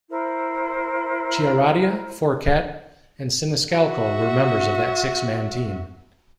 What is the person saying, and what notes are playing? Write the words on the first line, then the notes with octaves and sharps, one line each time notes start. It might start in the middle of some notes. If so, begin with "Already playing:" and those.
Chiaradia, Forquet, and Siniscalco were members of that six-man team.
E4 A#4 C5
F#4 E5